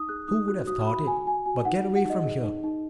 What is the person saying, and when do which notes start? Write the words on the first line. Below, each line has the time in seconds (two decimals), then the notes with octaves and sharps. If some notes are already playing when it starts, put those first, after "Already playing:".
Who would have thought it? But get away from here!
Already playing: D#4 D#6
0.09 G#4 F#6
0.28 D#4 D#6
0.48 F#4 F#6
0.67 F#4 D#6
0.87 F#4 B5
1.07 F#4 G#5
1.27 F#4 G#5
1.46 F#4 G#5
1.65 D#4 F#5
1.85 F#4
1.96 F#5
2.05 D#4
2.10 D#5
2.25 G#4
2.44 D#4
2.63 D#4